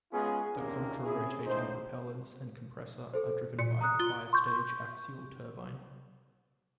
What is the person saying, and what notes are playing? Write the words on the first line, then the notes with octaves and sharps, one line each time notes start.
The contra-rotating propellers and compressor are driven by the five-stage axial turbine.
G#3 B3 C#4 F4 G#4
A#1 D#2 C3 A#3 C#4 D4
C3 C#4 E4 G#4
C#2 A2 D#4 C5
A4 C5
A#2 C#7
A#5 D#6 F#6
F4 G7
C6 C#6 G6